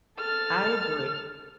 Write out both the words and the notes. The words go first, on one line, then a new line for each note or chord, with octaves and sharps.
I agree.
A4 F6 A6